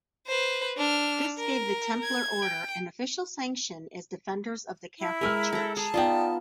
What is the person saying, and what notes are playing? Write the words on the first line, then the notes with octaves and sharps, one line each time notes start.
This gave the Templar Order an official sanction as defenders of the Catholic Church.
B4 C5
D4 F6
A#4
G#6
G5
E4
G#3 A#4 B4 G#5 E6 F6
A4 A#5
G#4 A5
B3 D#4 F4 D5 G5